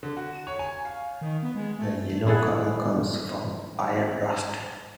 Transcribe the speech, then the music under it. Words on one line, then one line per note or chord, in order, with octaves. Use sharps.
The yellow color comes from iron rust.
D3
F#4
C#5
G#5
F5
D#3
B3
G#3
A3
E4 G#4 A4 F#5